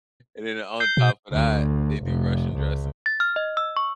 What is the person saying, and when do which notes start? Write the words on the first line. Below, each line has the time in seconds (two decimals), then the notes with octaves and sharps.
and then, on top of that, they do Russian dressing.
0.80 G6 C7 G7
0.97 B2
1.31 D2
2.04 F1
2.56 C#2
3.06 A6
3.20 F6
3.36 D#5
3.57 E6
3.77 C#6